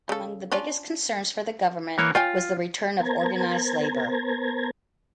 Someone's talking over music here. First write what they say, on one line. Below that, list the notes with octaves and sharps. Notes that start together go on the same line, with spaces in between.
Among the biggest concerns for the government was the return of organized labor.
C#3 A4
C#4 D4 F4
E3 A#3 C#5
F4 C#5 G5 G#5
B3 A#4 C5 A5 A#5 G#6